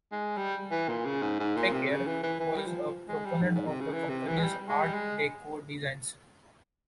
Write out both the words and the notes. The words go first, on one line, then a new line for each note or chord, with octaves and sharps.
Sakier was also a proponent of the company's Art Deco designs.
G#3
G3
E3
A#2
C#3
G#2
G#2
A#2
C3
C#3
E3
E3
E3
G3
F3
G#3
G3
G#2
G#2
C3
C#3
E3
C3
E3
G#3
G3
G#3
G3
G#3